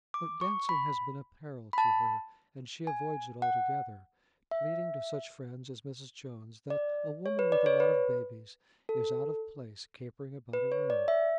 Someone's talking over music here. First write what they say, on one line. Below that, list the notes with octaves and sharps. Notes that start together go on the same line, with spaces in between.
But dancing has been a peril to her, and she avoids it altogether, pleading to such friends as Mrs. Jones that a woman with a lot of babies is out of place capering about a room.
D6
C#6
B5
B5
A5
G#5
F#5
E5
D5
C#5
B4
D5
C#5
B4
A4
B4
C#5
D5
E5